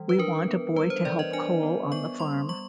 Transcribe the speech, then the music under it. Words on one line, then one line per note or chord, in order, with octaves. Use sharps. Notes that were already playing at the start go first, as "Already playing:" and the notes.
We want a boy to help Cole on the farm.
Already playing: E3 G3
B4
D4 A#4
B3
G3 B4
C5
E3 D5
D#5
D4 G#5
B3
B3 C#6
G3 C6
G3 C#6